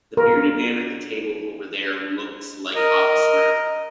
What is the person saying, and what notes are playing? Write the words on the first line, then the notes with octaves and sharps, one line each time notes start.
The bearded man at the table over there looks like Papa Smurf.
A#4
A#4 D#5